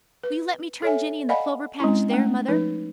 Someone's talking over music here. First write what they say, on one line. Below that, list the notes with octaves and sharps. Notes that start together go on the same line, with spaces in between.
Will you let me turn Jinny in the clover patch there, mother?
B4
A4 C#5 E5 G#5
D5 D#5 F5 F#5 G#5 B5
G#3 C4 C#4 E4
A3 C#4 G5
F3 D#4 B4